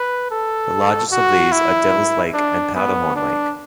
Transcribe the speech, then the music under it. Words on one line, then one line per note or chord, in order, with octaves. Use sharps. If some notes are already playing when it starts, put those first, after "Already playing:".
The largest of these are Devil's Lake and Powderhorn Lake.
Already playing: B4
A4
F#4
E4
D4
B3
D4